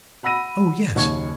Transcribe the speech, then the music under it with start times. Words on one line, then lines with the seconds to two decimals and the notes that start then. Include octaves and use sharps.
"Oh, yes."
0.23 F#5 B5 E6 A#6 D#7
0.95 F#1 D#2 C#6 G#6